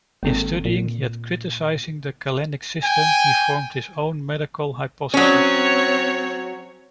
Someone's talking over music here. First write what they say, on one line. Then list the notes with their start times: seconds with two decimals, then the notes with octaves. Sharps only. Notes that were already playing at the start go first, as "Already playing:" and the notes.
In studying yet criticizing the Galenic system, he formed his own medical hypotheses.
0.23 G#1 A#3 C4 A4
0.65 A#2
2.83 G5 G#5
5.14 F#3 C4 C#4 C#5